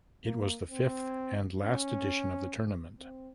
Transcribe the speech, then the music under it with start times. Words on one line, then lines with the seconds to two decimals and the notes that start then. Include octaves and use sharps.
It was the fifth and last edition of the tournament.
0.25 A#3
0.71 C4
1.63 C#4
2.99 C4